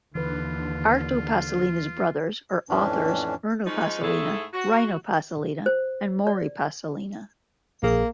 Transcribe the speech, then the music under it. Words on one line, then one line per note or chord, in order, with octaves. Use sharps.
Arto Paasilinna's brothers are authors Erno Paasilinna, Reino Paasilinna and Mauri Paasilinna.
D#2 D3 E3 F4 B4
F2 A2 E3 C#4 D4
F3 G#3 C#4 D#4
G#2 A3 E4 G#4 A4
F#4
C5
D5
A#1 A#3 G#4